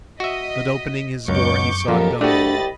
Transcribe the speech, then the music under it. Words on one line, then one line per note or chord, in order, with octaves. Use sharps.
But opening his door he saw Dounia.
F#4 D#5 E5 B6
C#2 F#2 B2 F#3 C#6 D6 G6
C#2 F#2 F3 A#3 B3 G4 A4 A#4
C2 A3 D4 F#4 G4 D#5 B5 A6